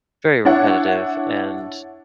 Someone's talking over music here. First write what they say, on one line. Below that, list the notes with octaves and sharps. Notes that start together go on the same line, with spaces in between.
very repetitive and,
D4 E4 C#5 F#5